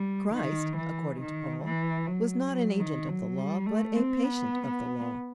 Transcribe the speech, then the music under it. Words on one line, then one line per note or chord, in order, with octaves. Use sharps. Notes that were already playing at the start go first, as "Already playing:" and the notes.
Christ, according to Paul, was not an agent of the Law but a patient of the Law.
Already playing: G3
D#3
E3
D#3
E3
F#3
F#3
D#3
F#3
G3
A3
C4
B3
B3